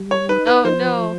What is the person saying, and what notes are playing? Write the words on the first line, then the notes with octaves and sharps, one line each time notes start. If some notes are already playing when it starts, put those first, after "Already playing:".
Oh, no.
Already playing: G3
C#5
D#4 B4
B4
F3 C5